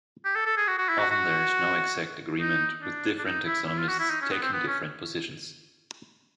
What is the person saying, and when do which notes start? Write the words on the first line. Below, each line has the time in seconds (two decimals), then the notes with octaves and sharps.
Often there is no exact agreement, with different taxonomists taking different positions.
0.25 G4
0.36 A4
0.46 A4
0.57 G#4
0.67 F#4
0.78 F#4
0.89 E4
0.99 F#4
1.10 F#4
2.39 D#4
2.82 D4
3.18 D4
3.25 D#4
3.46 E4
3.67 E4
3.78 F4
3.89 F#4
4.00 E4
4.10 D#4
4.21 C#4
4.31 B3
4.42 C4
4.53 B3
4.67 C#4